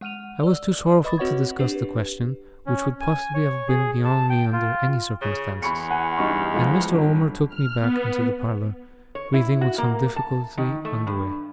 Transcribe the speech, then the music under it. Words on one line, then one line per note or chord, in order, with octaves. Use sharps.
I was too sorrowful to discuss the question, which would possibly have been beyond me under any circumstances; and Mr. Omer took me back into the parlour, breathing with some difficulty on the way.
G#3 F#5 F6 D#7 F7
D5 E6
B4 D#5 B5 D6 D#6 A6
C4 F#4 C#5 F#5 C#6 G#6
D4 G4 B4
C#4
G#5
C#5
G#4
A5
G5
F4
C#3
E2 B5 C#6 C#7
F#5 G#5
G2 D#4 C#6
F3 G#3
G1
F6
B3
C#5
E4
F#4
A#3
A5
D#3
A3
G2